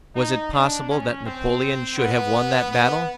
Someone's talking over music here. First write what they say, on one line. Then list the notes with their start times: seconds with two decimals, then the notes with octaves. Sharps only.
Was it possible that Napoleon should have won that battle?
0.15 D#4
0.51 D4
0.88 C#4
1.25 C4
1.98 B3
2.71 B3